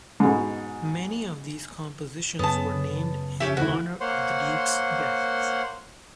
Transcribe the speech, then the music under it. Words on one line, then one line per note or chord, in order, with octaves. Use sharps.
Many of these compositions were named in honor of the Duke's guests.
G#2 B2
F#2 C#3 B3 A5
F2 C#4 G4 E5
D2 E4 F#4
A#3 C5 C#5 F#5 C6